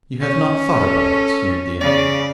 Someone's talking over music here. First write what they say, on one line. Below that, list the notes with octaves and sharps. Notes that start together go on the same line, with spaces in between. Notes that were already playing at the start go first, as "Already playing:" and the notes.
'You have not thought about it!' sneered the invalid.
C#4
A4
C#3 D5